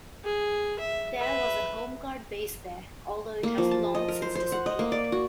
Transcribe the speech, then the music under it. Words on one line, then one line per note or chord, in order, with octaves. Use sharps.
There was a Home Guard base there, although it has long since disappeared.
G#4
E5
B4 E5
A#3
F3
A5
D#5
A#4
C5
C5
F#5
D#5
A#3
D5
F#4